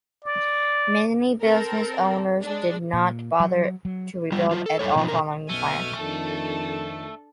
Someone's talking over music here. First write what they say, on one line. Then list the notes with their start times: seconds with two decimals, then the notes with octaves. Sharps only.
Many business owners did not bother to rebuild at all following the fire.
0.25 D5
1.43 C4 A4 A#4
2.44 G#3 D4
2.93 A#2
3.40 F#3
3.85 F#3
4.32 G3 F4
4.51 F#3 F4
4.66 A4
4.79 F#2 G3 A4 C#5
4.95 B2 F3 D#4 F4
5.08 B2 D3 A#4
5.49 B1 F#2 B2 A3 G#5 F6
6.00 F2 D#3 D4 A4